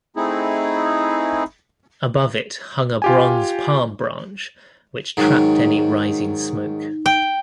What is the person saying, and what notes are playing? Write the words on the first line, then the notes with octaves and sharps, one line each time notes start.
Above it hung a bronze palm branch which trapped any rising smoke.
A3 C4 D#4 E4 G#4
F4 G4 G#5
G#2 D#3 F#3 D#4
G5